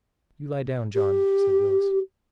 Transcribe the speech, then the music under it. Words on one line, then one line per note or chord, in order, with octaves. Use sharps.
"You lie down, John," said Willis.
G4